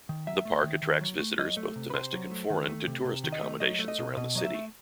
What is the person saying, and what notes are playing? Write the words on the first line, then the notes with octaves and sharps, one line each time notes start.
The park attracts visitors both domestic and foreign to tourist accommodations around the city.
D#3
F#3 E5
A3
D#3
D#3
F#3
A3
F#3 D#5
A3
C3
B4
C3 C5
F#3
A3
D#3
A3
C3
C3
D#3
D#5
A3
F#3 D#5
A3
D#5
B2
B2 D#5
F#3 D#5
E5
A3